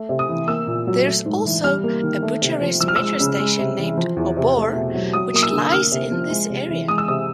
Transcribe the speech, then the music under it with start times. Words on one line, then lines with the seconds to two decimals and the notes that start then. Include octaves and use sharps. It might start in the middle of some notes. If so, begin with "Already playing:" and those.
There is also a Bucharest Metro station named Obor, which lies in this area.
Already playing: A3
0.09 C3
0.19 D#6
0.29 E3
0.48 A#3 E6
0.67 A#2
0.87 F#3
1.06 A3
1.25 G#2
1.45 E3
1.64 G3 F6
1.84 A#3
2.03 D#3
2.22 A3
2.42 C3
2.61 F3
2.81 F3 E6
2.88 F6
2.96 G#3 E6
3.20 C#3
3.39 G#3
3.59 C3
3.78 E3
3.97 F3
4.17 E2
4.37 C3
4.56 A3
4.75 B2
4.95 F#3
5.13 F#3 D#6
5.34 A#3 D#6
5.43 E6
5.53 D3
5.72 A#3 F6
5.92 C3
6.12 F3
6.30 G#3
6.50 C3
6.69 E3
6.88 G#3 D#6
6.98 E6
7.08 C3 D#6